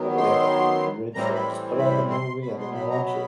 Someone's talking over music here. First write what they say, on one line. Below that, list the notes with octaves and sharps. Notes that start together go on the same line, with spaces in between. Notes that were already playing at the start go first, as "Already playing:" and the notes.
I don't really have like a ritual. I just put on the movie and then I watch it.
Already playing: D#3 F#3 B3
C6
A2 E3 G3 C4 A#5
B5
B5
C6
B2 F#3 B3 B5
C6
B5
A#5
B5